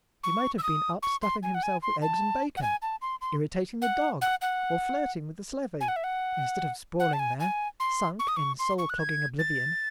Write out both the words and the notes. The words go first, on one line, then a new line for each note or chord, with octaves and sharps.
He might have been up stuffing himself with eggs and bacon, irritating the dog, or flirting with the slavey, instead of sprawling there, sunk in soul-clogging oblivion.
C#6
E6
D#6
C#6
C6
G#5
F#5
G#5
C6
A5
F#5
G#5
A5
C6
C6
F#5
F#5
F#5
G#5
F#5
E5
F#5
F#5
A5
G#5
G#5
C6
C#6
D#6
C#6
C6
C#6
F#6
G#6
A6